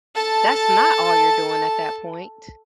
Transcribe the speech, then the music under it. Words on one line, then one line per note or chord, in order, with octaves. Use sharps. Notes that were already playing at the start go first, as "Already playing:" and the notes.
That's not all you're doing at that point.
A4 A5